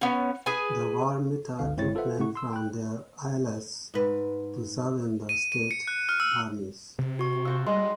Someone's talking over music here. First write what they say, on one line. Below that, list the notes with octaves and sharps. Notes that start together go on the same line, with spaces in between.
The war "mit'a" took men from their ayllus to serve in the state armies.
B3 C#4
G#4 B4 G#5
G1 C#2 D3 F5
G1 G#3 C4 E4 C#5 A6
F4 A4 B4 C5 E5 F#5
A2 A3 E4 F#5 C#6
C6 E6
G5 F#6
G#2 B4
D#7
D#7
C#7
F#6
F6
E6
C3
F#4 C#6
F4 F#4 C5 E6
G3 G#3 D#4 D#5 C6